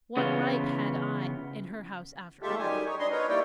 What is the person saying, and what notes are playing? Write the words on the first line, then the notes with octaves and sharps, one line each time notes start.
What right had I in her house, after all?
C#3 E3 B3 F4
D#2 G#3 F4 G4 A4 E5
F#2 D#3 G3 G4 G#5
D#4 C#5
D4 B4 D#5 C6
B3 D#4 A#4 B4 C#5
G3 A#3 E4 C#5 D5 G5